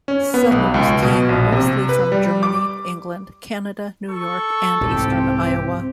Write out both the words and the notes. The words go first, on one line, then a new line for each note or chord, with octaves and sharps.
Settlers came mostly from Germany, England, Canada, New York, and eastern Iowa.
C#4
B3
B1
C#2
B2
A#1
C3
B4
G3
D6
A4 C#6
C2 G#2 E3 C4 G4